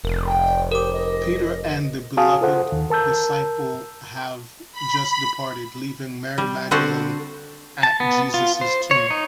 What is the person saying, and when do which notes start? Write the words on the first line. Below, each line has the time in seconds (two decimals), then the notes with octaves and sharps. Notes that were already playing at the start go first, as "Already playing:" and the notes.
Peter and the Beloved Disciple have just departed, leaving Mary Magdalene at Jesus' tomb.
0.04 F1 A#4
0.26 G5
0.72 G4 A#4 D6
0.93 D#5
2.17 F#4 G#4 F5 G#5 A5 D#6
2.41 F4 A4 C5 F#5
2.72 D#2 D#3
2.90 A#4 A5 E6 G6
4.72 B5
6.38 G3
6.71 D3 C4 F#4 C5 F#5 A5
7.83 A5
8.00 B3
8.34 F4
8.61 C5
8.91 C#5
9.11 D#4